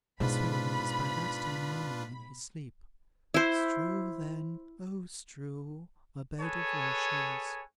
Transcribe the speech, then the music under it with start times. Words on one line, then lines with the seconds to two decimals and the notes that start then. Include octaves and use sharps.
Mr Swiveller was by that time murmuring in his sleep, 'Strew then, oh strew, a bed of rushes.
0.20 G#2 B2 D4 F4 B4 B5
3.34 E4 C5
6.40 G#4 A4 B4 C#5 G#5